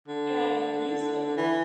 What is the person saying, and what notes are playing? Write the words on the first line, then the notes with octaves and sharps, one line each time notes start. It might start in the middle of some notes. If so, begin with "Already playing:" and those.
And recent
D3
E3